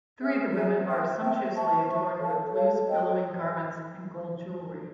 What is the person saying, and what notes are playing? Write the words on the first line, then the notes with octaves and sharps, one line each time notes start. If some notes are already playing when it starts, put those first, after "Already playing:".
Three of the women are sumptuously adorned with loose, billowing garments and gold jewellery.
G#4 C5 E5
G#4 C5 E5
C5 E5 G5
C5 E5 G5
C5 E5 A5 C#6
C5 E5 A5 C#6
A4 C#5 F5 A5
A4 C#5 F5 A5
A4 C5 D#5 G5